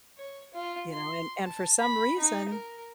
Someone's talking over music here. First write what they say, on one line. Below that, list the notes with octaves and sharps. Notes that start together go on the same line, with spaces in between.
you know. And and for some reason,
C#5
F4
C6
A5
B5
D#4
A#4